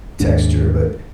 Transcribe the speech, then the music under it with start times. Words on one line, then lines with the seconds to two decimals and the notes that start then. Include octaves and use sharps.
texture, but
0.20 D#2 G#2 D4